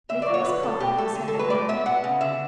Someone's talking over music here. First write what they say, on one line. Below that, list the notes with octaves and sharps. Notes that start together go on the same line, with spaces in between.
Nicholas coughed and said no more.
D3 E5
D5
F#3
C#5
D3 B4
D4 A4
B2 G4
A3 A4
D3
A4
F#3
B4
A2 D5
B3 E5
B3 F#5
C#3
D3 E5